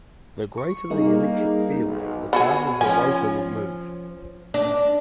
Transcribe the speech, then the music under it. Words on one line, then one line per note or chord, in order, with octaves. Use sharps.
The greater the electric field, the farther the rotor will move.
C#6
G3 A#3 D#4 G#4
B1 G#2
B3 F#4 G#4
F3 C#4 G#5
D4